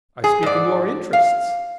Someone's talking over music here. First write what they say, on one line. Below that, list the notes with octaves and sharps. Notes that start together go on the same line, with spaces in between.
I speak in your interests.
G#4
G#2 D5
F5